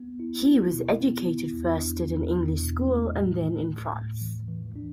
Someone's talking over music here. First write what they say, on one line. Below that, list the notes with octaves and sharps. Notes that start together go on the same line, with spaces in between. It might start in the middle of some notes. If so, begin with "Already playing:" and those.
He was educated first at an English school and then in France.
Already playing: B3
E4
E4
B2
B3
E4
E2
D4
E2
E2
B2
A3
A2
E3
A2
A2
E3
E3
D4